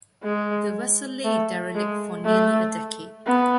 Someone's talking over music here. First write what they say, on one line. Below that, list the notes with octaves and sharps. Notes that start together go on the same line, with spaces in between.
The vessel lay derelict for nearly a decade.
G#3
A3
G#3
A3
B3